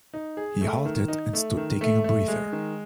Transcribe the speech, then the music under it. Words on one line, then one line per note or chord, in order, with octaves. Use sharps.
He halted and stood taking a breather.
D#4
G#4
A3
D#3
D#4
A3
D#3
A3
A3
G#3
D#3